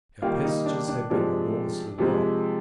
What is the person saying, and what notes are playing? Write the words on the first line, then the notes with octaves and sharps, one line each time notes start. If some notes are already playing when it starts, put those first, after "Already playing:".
Our passages have been enormously long.
D#3 G3 A#3 F4
D#4
D4
D4
C3 F3 G#3 D4
C3 F3 G#3